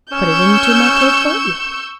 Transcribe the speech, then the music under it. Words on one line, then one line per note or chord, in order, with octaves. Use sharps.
"Put it into my portfolio."
C#4 C#6 E6 G6